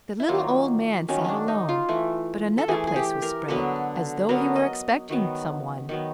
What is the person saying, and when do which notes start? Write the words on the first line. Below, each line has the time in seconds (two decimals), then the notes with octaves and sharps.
The little old man sat alone, but another place was spread, as though he were expecting some one.
0.20 E4
0.28 D#3 F#3 A#3 F4
1.09 D#3 F#3 A#3 C#4
1.24 C#4 D4
1.48 D#4
1.69 F4
1.89 E3 A3
2.58 A4
2.68 E3 A3 G#4
2.87 G#4
2.96 G4
3.22 A#4
3.48 D3 F#3 B3 A4
4.29 D3 F#3 B3 A#4
4.56 D#5
5.09 D#3 F#3 B3
5.89 D#3 F#3 B3